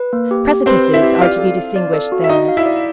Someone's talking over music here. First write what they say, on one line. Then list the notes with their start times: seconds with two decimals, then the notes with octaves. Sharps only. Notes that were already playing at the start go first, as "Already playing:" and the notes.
Precipices are to be distinguished there.
Already playing: B4
0.13 A#3
0.31 G4
0.48 G4
0.66 C4 B4 C5
0.85 B4
0.94 E4 E5
1.02 G4
1.21 F4 D5 F5
1.38 A4
1.58 F5
1.76 D5
1.93 A4
2.12 F#4
2.24 E5
2.29 D#4 F#4 D#5
2.48 F5
2.57 E4 E5
2.66 D5